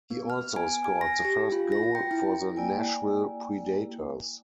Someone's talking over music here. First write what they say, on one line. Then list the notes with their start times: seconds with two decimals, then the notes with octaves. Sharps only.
He also scored the first goal for the Nashville Predators.
0.11 B3
0.30 F6
0.56 G#5
0.84 G#5
1.01 A#6
1.25 G4
1.52 F4
1.72 A#6
1.95 G5
2.11 E4
2.56 A#3 E4 D5 G5 G#5